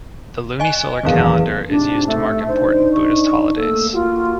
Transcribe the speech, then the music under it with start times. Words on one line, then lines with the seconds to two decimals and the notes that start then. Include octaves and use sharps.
The lunisolar calendar is used to mark important Buddhist holidays.
0.60 D#5 G#5
1.03 F#1 E2 D#3 E3 F5
1.69 G#2 C3 D4
2.07 A3
2.47 D4 D#4 C5
2.93 C#6
3.55 A3 A#3 A4
3.94 A#3 F4 F#4